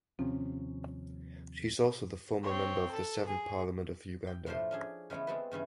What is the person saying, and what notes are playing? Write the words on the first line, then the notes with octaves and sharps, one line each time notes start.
She is also the former member of the seventh Parliament of Uganda.
D#2 C3 F3 C4 C#4
C4 C#5
A4
G#4
G5
A2 F3 A3 D4 C5 C6
C#4 D4 G#4
C#3 E3 G#3 A3 B3
G#3 B3 C4 F#4 A4 B4
G2 C#3 E3 C#4